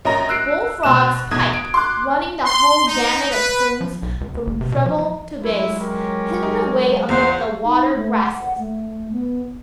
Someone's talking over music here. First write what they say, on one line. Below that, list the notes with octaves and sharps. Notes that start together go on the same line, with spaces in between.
Bullfrogs pipe, running the whole gamut of tones from treble to bass, hidden away amid the water grasses.
A#1 C#4 D#5 A#5 A#6
E6 F#6 C7 D7
B2 C4 F#6 E7
B1 E2 D#6 G#6
D7
C6 D6 F#6
C6
D#4
B4
F3
B1
C#2
C#2
F#1
C3
B2
F3
F3
F#3 G#3 E4
C#4 G4 A#4
D#4
E2 F4 C5 F5 F#5
D#4
A3
F#5
A3
B3